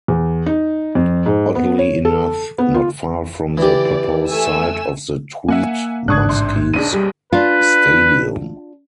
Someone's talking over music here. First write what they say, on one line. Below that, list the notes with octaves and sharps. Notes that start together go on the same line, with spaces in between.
Oddly enough not far from the proposed site of the Tweed Muskies stadium.
E2
D#4
F2
G#2
B3
C#5
A4
B3
F4
E3 G4 D5
A3 G#5 E6
A#3 E5 F#5 G#5
A1 G#2 D4 C#6 D#6 F#6 G#6
C3 C6
F#1 B1 D4 G#4 D#7
G3
D4 F4 B4